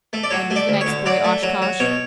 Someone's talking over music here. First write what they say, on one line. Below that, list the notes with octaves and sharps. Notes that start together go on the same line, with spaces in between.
"And is the next boy Oshkosh?"
A3
D5
F#3 C#5
A3
D5
D2
C#5
D3
F#3 D5
A3
F#3
F#3
B2 C#5